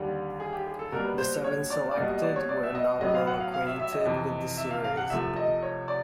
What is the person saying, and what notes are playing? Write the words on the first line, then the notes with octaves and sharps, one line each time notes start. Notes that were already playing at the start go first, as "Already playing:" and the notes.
The seven selected were not well-acquainted with the series.
Already playing: D#2 D3 G3
G#4
G4
G#4
A4
B2 G3 A#3 A#4
B4
C5
C#5
D5
D5
B2 G3 A#3 D#5
D#5
D5
C#5
D5
E5
D#5
A2 F#3 B3 D#5
F5
F#5
F5
F5
E5
E5
D#5
F2 C3 E3
E5
F5
F5
F#5
C2 C3 F3 A3 E5
D#5
C#5
D5